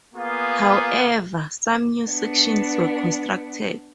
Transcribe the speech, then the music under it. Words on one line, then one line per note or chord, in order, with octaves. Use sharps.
However, some new sections were constructed.
A#3 B3 F4 G#4
B3 D4